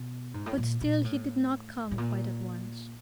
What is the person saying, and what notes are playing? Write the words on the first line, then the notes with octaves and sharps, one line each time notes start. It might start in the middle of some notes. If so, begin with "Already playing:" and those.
But still he did not come quite at once.
Already playing: B2
G#2
A2
A#2
A#2
A2
A2
A#2